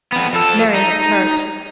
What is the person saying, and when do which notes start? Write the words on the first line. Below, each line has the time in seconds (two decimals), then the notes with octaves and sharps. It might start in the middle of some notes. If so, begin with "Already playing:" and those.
Mary looked hurt.
0.12 F2 B3
0.33 F2 A4
0.75 D#4